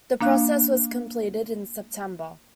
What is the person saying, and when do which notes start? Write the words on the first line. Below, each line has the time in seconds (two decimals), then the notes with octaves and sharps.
The process was completed in September.
0.21 A#3 D4 F5 F#6